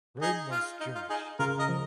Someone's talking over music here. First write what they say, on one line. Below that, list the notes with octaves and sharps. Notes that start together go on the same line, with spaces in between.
Rome was Jewish.
D#4 G#4
F4
D#4
F4
D#4 G#4
C#3 F4 A#4
A#4 D#5
F3